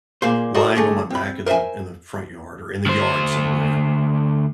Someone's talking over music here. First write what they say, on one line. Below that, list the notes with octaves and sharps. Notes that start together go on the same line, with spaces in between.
lying on my back in the in the front yard or in the yard somewhere
A#2 A#3 G#4 C5
F#4 A4 A#4 C5 D5 D#5
D3 A3 G#4
C4 B5
A#4 C5 D#5 E5 G#5
D2 C5